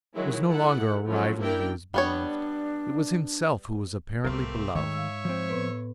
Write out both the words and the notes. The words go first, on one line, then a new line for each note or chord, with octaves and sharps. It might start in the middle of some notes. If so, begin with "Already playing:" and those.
It was no longer a rival who was beloved; it was himself who was apparently beloved.
D#3 F#3 G#3 E4
E4 A4 F#5
F3 F#3 C#4 A4
A#3 D4 E4 A#4 G5
G3 B3 D4 C#5
C2 A3 B3 C4 G4 A#4 F5
G#2 D#3 A3 C#5 E5
F5 E6
F3 C4
A2 B3 B4